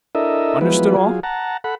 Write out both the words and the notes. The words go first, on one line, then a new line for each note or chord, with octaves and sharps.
Understood all?'
D4 E4 A4 A#4 D#5 E5
F3 F#3 G#3 B3 E4 B4
F#3 F4 G#4
F#5 A5 A#5
A4 F#5 B5